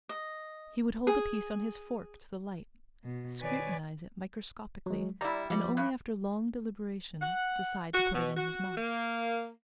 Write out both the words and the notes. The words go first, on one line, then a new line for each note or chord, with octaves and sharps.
He would hold a piece on his fork to the light, scrutinize it microscopically, and only after long deliberation decide to put it in his mouth.
D#5
G#4
B2
D#3 B4 C#5 D5 G#5
F#3 G#3
G3 E4 D5 A#5
F3 G3
G2
F#5
F#4
B2
F#4
A#3